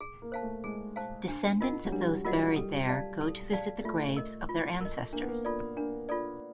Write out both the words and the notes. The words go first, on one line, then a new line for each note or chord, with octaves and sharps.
Descendants of those buried there go to visit the graves of their ancestors.
G#4
A#3
C5 F5 A5
A3
G#3 G#4
C5 F5 A5
D4
F4 A#4 D#5 F#5
F#3
G3 D4
F#3 F4 A#4 D#5 F#5
G3 A4
D5 F5 A5
A4
D5 F5 A5
A3 F4
A#4 D#5
F4
A#4 D#5
A#3 D4
B3
A#3
F4 A4 D5
A#3 D4
F4 A4 D5